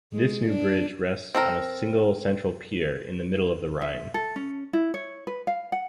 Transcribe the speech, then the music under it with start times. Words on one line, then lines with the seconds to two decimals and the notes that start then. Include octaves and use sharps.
This new bridge rests on a single central pier in the middle of the Rhine.
0.14 G#3
0.49 D4
1.35 C4 A4 A#4
3.81 E5
4.14 A4
4.36 C#4
4.73 E4
4.94 C#5
5.27 B4
5.47 F5
5.72 F#5